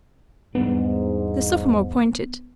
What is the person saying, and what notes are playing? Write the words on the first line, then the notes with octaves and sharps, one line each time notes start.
The sophomore pointed.
E2 G#2 G3 B3 D4